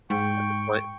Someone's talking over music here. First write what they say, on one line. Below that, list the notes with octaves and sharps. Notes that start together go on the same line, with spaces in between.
at this point?
G#2 G5 C#6